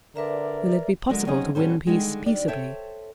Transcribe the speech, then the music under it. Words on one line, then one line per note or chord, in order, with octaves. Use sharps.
Will it be possible to win peace peaceably?
D3 A#4 B4 D5 E5 A#5
D3 F#3 G#3 A#4
F#3 C4 C#4 D#4 G#4 D#5
B2 G3 C#4 A4 C5
D3 D#3 G3 G#3
D#2 D4 D5
A4 C5 C#5 E5 G5 A5